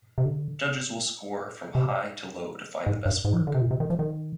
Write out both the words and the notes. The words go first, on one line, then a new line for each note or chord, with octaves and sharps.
Judges will score from high to low to find the best work.
C3
D3
C3
G#2
G2
G#2
F3
D#3
D3
C3
A#2
C3
D#3
F3
D#3